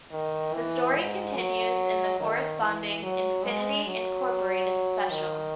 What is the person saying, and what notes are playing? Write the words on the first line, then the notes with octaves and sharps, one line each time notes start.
The story continues in the corresponding Infinity Incorporated special.
D#3
E3
G#2
F#3
D#3
E3
F#3
G#3
F#3
D#3